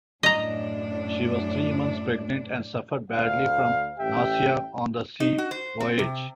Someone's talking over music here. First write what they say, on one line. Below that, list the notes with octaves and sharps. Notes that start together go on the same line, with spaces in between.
She was three months pregnant and suffered badly from nausea on the sea voyage.
F#2 A2 D4 D#5 A#5
D2 F5
A1 G4 E5 G5
D#4
F#4
C5
C4
C3